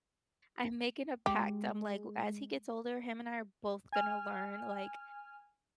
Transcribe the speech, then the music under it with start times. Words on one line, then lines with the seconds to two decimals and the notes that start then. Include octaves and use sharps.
I'm making a pact, I'm like, "As he gets older, him and I are both gonna learn, like,
1.26 G#3 G4
3.92 G#5 F6